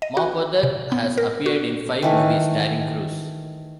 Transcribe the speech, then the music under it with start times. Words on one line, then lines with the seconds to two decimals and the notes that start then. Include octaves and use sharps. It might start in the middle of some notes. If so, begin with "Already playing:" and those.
Mapother has appeared in five movies starring Cruise.
0.02 D#5
0.17 F#4
0.63 C3
0.92 B3
1.18 A#4
1.46 F#4
2.02 D#3 E3 A3